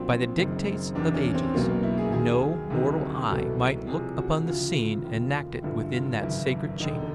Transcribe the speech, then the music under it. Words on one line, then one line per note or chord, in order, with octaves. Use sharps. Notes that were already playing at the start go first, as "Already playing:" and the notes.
By the dictates of ages no mortal eye might look upon the scene enacted within that sacred chamber.
Already playing: A#1 A#2 F#3 C4
F#1 F#2 D#3
E2 C3 D#3 D4
C#4
C4
B1 B2 F#3 A#3
A#3
E4
G#4
D#2 D#3 F#3 G#4
D2 C3 D#3 F#3
C2 B2 F#3 A4
C2 C3 F3 G#4
F#4
D2 C#3 F3 F4
D#2 C#3 F3
G1 G2 D3 F3 E4
F4
G#1 F#2 C#3 E3 E4
E1 D#2 D3 D#4